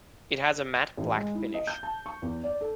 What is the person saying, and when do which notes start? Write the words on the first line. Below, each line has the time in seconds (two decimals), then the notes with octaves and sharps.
It has a matte black finish.
0.97 A1
1.15 G#3
1.35 E4
1.54 D#5
1.67 G6
1.83 A5
2.06 C#6
2.22 E2
2.44 D5
2.61 A4